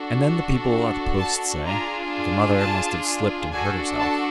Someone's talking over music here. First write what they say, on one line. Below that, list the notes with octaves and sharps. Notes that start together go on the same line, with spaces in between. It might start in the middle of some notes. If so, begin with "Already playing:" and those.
And then, the people at the Post say, the mother must have slipped and hurt herself.
Already playing: D4 F#4 A4
A5
D4 F4 G#4 A#5
A5
D4 F#4 A4 G#5
A5